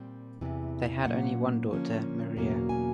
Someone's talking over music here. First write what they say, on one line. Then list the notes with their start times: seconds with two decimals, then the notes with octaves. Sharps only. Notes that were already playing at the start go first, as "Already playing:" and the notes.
They had only one daughter, Maria.
Already playing: A#2 G3 C4
0.41 E2 C3 E3
1.06 A#2 F#3 A#3 C#4 F#5
1.71 D3 F3 A#3 C#4
2.37 E2 B2 F#3 A#3 C#4
2.69 G#5